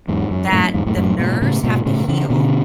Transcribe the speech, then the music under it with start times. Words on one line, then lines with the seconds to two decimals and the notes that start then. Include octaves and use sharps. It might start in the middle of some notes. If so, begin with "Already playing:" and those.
that the nerves have to heal
0.08 E2 G#2
0.31 F#2
0.52 F#2 A2
0.74 E2 G#2
0.86 F#2 A2
0.96 F#2 A2
1.19 G#2 B2
1.42 A2 C#3
1.64 G#2 B2
1.86 A2 C#3
2.08 C#3 E3
2.30 B2 D3